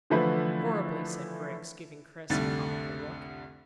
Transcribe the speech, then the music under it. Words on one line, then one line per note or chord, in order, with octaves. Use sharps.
"Horribly," said Griggs, giving Chris a comical look.
D3 E3 F3 A3 E4 B4
C2 F2 D3 G3 A3 A6